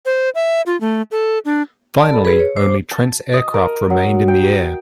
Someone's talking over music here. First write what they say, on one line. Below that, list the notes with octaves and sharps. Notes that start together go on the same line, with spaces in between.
Finally only Trent's aircraft remained in the air.
C5
E5
F4
A3
A4
D4
D5 A5
A4 B5
G#4 B4
C#5
C5 D6
A5
D#5
A#4
F#3
G5